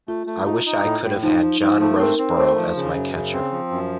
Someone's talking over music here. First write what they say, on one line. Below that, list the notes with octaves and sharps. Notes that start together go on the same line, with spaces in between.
I wish I could have had John Roseboro as my catcher.
A3 F4
A3
D#4 F4
D#4
A2
A2
F3 D#4
F3
F3 D#4
A3
C4 A#4
C4
A3 C5
F3
C#3
F#2
C#3
C4
F3
F#2